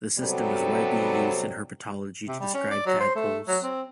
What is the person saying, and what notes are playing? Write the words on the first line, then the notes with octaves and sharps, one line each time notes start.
The system is widely used in herpetology to describe tadpoles.
C3 F#3 G3 B3 C4 A4
C3
G3
C#4
D5
F#3
C5
A3
F#3
C4